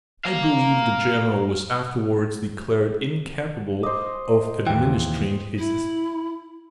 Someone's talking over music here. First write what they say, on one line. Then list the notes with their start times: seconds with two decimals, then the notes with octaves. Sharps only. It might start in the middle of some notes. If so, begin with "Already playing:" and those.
I believe the general was afterwards declared incapable of administering his estates.
0.25 F5 A#5
3.83 C5 D#5 D6
4.67 D#2 E3 G5
5.58 E4